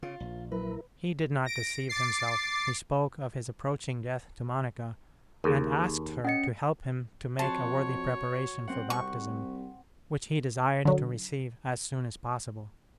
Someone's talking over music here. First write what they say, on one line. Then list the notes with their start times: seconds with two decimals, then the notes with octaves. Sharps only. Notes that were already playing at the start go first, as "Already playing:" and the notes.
He did not deceive himself. He spoke of his approaching death to Monica, and asked her to help him to make a worthy preparation for Baptism, which he desired to receive as soon as possible.
0.03 C#3 F4
0.20 A#1
0.52 F#3 E4 A#4 B4
1.46 A#6 D7
1.89 D6 A6 C7
5.44 D#2 G#4 A#4
6.25 C#4 D#5 F#5 C#7
7.39 F2 F#4 C#5 A5 C6
8.68 F#2 C4 F#5
8.90 C2 C#6
10.85 D3 F#3